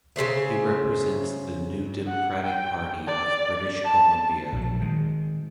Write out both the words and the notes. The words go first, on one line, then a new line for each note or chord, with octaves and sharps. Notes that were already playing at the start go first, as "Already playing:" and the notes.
He represents the New Democratic Party of British Columbia.
C#3 A3 C5 E5
F#5
G5
D5
A5
A#1 F#3
D#3 G#3